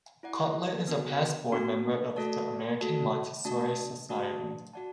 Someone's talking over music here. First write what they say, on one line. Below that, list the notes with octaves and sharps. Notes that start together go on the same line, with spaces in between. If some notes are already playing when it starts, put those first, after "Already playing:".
Cotler is a past board member of the American Montessori Society.
E4 D5 F#5
B3 D4 F#4
B3 D4 F#4
A3 F#4 A4 D5 A5
A3 F#4 A4 D5 A5
A3 D4 F#4 D5 A5
A3 D4 F#4 D5 A5
F#4 D5 F#5 A5